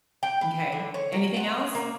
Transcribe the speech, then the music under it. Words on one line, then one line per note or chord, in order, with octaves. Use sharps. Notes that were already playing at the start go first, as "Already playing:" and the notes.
M'kay. Anything else?
G5
B4
D3
C#5
A#4
F#5
A#3